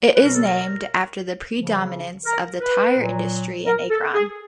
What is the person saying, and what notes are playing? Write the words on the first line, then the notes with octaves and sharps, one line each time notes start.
It is named after the predominance of the tire industry in Akron.
B2 F#3 B4
A#4
A4
A#4
C#3 F3
A#4
B4
A#2 F#3
A#4
A4
G#4